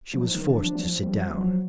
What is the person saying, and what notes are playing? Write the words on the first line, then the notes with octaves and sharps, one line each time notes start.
She was forced to sit down.
F3
D#4
D#3
D4
F3
F3
F3 G3
F3 F#3